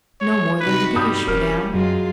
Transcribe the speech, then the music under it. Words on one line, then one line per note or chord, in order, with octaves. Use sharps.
"No more than De Guiche, Madame."
C#5
C3 D#4 F#4 B4
G2 G3 B5 D#6 G6
E1 C#4 A#4 F6
F#2 F#3 G#3 F4